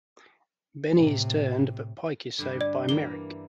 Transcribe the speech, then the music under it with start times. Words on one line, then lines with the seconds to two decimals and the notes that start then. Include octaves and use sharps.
Benny is turned but Pike is saved by Merrick.
0.98 A2 C3
2.39 G2 D3
2.61 D5
2.89 E3 G3 A#3 G7